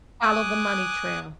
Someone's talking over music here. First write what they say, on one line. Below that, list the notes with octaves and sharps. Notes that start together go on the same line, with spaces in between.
Follow the money trail.
G#5 D6 D#6 F#6